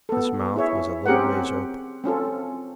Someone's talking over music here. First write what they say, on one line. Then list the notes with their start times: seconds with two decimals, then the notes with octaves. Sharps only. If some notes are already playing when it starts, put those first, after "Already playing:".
His mouth was a little ways open.
0.09 B3 A4
0.56 E4 G#4 C#5 E5
1.06 C4 C#4 G4 G#4 A#4 F#5
2.04 C4 C#4 F4 A4